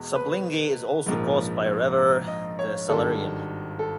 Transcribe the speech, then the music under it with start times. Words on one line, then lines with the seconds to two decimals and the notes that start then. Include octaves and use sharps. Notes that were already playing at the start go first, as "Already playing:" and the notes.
Subligny is also crossed by a river, the Salereine.
Already playing: E2 B2 G#3
0.15 B4
1.06 A#1 G#2 F3 A#3
2.27 D#5
2.59 C#5
2.89 G#1 G2 D#3 G3 A4
3.79 A4